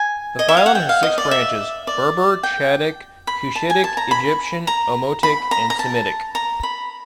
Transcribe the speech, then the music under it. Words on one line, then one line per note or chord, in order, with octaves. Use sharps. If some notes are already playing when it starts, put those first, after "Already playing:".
The phylum has six branches: Berber, Chadic, Cushitic, Egyptian, Omotic and Semitic.
Already playing: G#5
D#5
E5
F5
F#5
G5
F5
D#5
D5
E5
D5
G5
B5
A5
G#5
A5
A#5
B5
A#5
B5
A#5
A#5
A5
A#5
B5